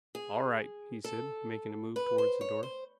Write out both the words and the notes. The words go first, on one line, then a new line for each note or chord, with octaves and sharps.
"All right," he said, making a move towards the door.
G#4
A4
B4
C5
C#5
C5